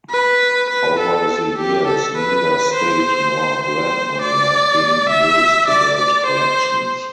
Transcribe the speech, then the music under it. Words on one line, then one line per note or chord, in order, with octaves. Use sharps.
Over the years, neither state nor grant money have been used to build collections.
B4
B4
A4
G4
A4
B4
C5
C5
D5
E5
D5
D5
C5